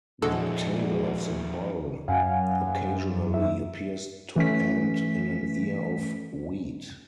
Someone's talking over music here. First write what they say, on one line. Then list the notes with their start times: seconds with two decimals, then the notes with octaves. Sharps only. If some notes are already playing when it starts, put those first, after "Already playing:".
The tail of the bull occasionally appears to end in an ear of wheat.
0.22 F2 A#2 F3 G#3 D4 E4 F#4 A4
2.08 F#2 F5 F#5 G#5
3.34 D#4 E5
4.36 E3 A3 C#4 B6